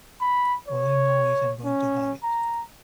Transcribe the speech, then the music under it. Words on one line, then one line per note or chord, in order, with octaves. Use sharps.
All I know is, I'm going to have it.
B5
C#5
C#4
A#5